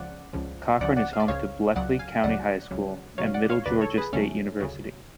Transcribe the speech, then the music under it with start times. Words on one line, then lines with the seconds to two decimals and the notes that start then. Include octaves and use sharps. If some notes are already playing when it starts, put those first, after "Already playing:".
Cochran is home to Bleckley County High School and Middle Georgia State University.
Already playing: C#2 C#3 F3 D5 F#5
0.33 C#2 C#3 F3
0.80 C#2 C#3 F3 D5 F#5
0.96 D5 F#5
1.13 F5
1.20 D5
1.28 C#2 C#3 F3 C#5 F5
1.76 C#2 C#3 F#3 D5 F#5
1.99 F5 G#5
2.23 C#2 C#3 F#3 D5 F#5
2.71 C#2 C#3 F#3
3.18 C#2 C#3 F#3 C#5 F5
3.34 D5 F#5
3.50 C#5 F5
3.66 D2 C#3 F#3 B4 D5
3.81 A4 C#5
3.98 G#4 B4
4.13 D2 C#3 F#3 A3 C#4
4.60 D2 C#3 F#3